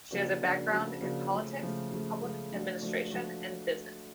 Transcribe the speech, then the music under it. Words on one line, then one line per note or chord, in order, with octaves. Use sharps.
She has a background in politics, public administration and business.
C#3 F3 A#3 D4 F#4
C#3 F3 A#3 D4 F#4
C#3 F3 A#3 D4 F#4
C#3 F3 A#3 D4 F#4
C#3 F3 A3
C#3 F3 A3
C#3 F3 A3
C#3 F3 A3
F3 A3 D4 F#4
F3 A3 D4 F#4
F3 A3 D4 F#4